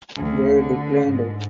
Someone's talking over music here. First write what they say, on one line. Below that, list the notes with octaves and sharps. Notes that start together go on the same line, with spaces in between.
They declined.
D2
D3
G#2